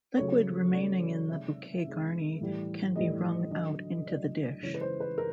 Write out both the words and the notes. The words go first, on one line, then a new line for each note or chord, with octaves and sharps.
Liquid remaining in the bouquet garni can be wrung out into the dish.
C#3 F#3 A3 C#5
C#3 F#3 A3 D5
C3 D#3 G#3 E5
C3 D#3 G#3
A2 E3 G3
A2 E3 G3 D#5
D3 F#3 A3 D#5
D3 F#3 A3 D5
C#3 E3 G#3 C#5
B4
C5
B4
A#4